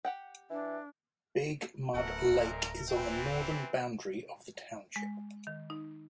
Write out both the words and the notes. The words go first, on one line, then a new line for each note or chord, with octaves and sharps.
Big Mud Lake is on the northern boundary of the township.
G4 F#5 G5
E3 D4
D1 F#2 B2 A3 A#4 F#5
D1 F2 A#2
C3 E3 C4 G5
G#3
D#3
D#4